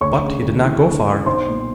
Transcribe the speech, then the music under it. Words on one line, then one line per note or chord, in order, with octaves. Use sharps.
But he did not go far.
D2 C#5 C#6
C#3
D2
E3
D2
C#3
B1 C5 C6
A#2